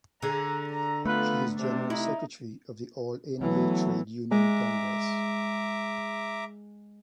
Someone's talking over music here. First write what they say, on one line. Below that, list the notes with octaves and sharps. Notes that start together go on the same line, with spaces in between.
She is General Secretary of the All India Trade Union Congress.
D3 G#4 A#5
A#5
A3 B3 F4 B4
C3 D4
D#4 E4
E3 F#3 A3 B3
G#3 E5 A#5 D6